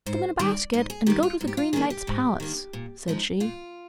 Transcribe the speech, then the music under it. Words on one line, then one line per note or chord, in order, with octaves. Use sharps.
'Put them in a basket and go to the Green Knight's palace,' said she.
G#2 C5
D#3 G3 D5
G#2 D#5
G#4
D#3 G3 G4
F4
G#2
G4
F4
D#3 A#3 D4 G#4
G4
G#2
D#3 A#3 D4
A#2
F3 G#3 D#4
A#2 F4